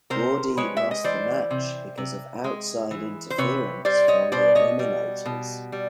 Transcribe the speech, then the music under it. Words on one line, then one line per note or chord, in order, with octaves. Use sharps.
Gordy lost the match because of outside interference from The Eliminators.
C3 A#4 C5
G#3 B4 C#5
E5
D#5
E3 C5 D5
C3
C3
G#3
E3
C5
C3 B4 C#5
G3 C5 D5
C#5 D#5
B2 C5 D5
C#5 D#5
G3
B2
G3